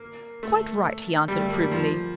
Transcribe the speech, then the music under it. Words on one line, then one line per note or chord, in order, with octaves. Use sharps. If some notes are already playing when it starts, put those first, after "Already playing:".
'Quite right,' he answered, approvingly.
Already playing: A#3
A3
G3
A3
A#3
G3
F3